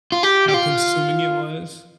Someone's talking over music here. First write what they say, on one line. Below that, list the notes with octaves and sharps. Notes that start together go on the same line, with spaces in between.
How consuming it was?
F4
G4
G4
F4